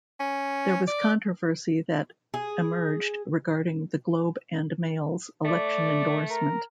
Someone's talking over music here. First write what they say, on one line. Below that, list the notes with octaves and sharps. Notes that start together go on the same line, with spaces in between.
There was controversy that emerged regarding the Globe and Mail's election endorsement.
C#4
D5
G#4
A3 D5
A#4